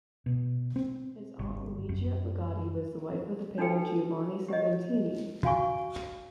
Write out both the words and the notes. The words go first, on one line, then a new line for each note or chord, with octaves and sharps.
His aunt, Luigia Bugatti, was the wife of the painter Giovanni Segantini.
B2
C4
G1
F#2
D4 D#4 F#4 A4 B4 G5
G4 D#5
F#4 F5 G#5 C#6